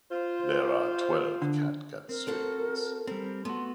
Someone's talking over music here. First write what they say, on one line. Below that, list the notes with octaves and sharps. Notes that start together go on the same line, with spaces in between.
There are twelve catgut strings.
F4 C5
D3
C4 A#4
F#4 A4 C5
G3 C4 A#4
A3 B3 F#4 C6